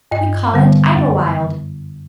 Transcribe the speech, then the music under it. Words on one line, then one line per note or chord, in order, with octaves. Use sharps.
We call it Idlewild.
G2 D#5
D3 G3 B3
F#2